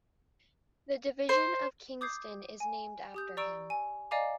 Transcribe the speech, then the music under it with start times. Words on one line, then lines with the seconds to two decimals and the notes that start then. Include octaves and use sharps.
The Division of Kingston is named after him.
1.29 C5
2.01 D6 D#6 G6 G#6 C7
2.60 G#5
3.14 G4 D#6 G6
3.37 D5 A#5 C#6 E6 D7
3.70 G#5
4.11 D5 D#5 F5 G#5 A#5 D6